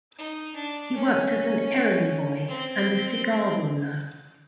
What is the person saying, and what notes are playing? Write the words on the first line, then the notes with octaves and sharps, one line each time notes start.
He worked as an errand boy and a cigar-roller.
D#4
D4
C#4
C4